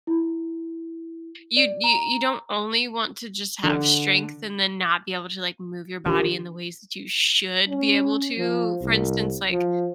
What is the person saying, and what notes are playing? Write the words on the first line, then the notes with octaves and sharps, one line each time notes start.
you you you don't only want to just have strength and then not be able to like move your body in the ways that you should be able to, for instance, like,
E4
D5
A#5
D3
D#3 D4 F4 G4
C#4
F3
C2
F3